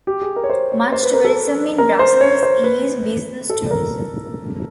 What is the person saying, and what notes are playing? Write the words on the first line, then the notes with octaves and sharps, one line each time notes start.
Much tourism in Brussels is business tourism.
G4
G#4
A#4
C#5
C5
C#5
C5
B4
A#4
A4
A#4
C5
C#5
C5
B4
A4
A#4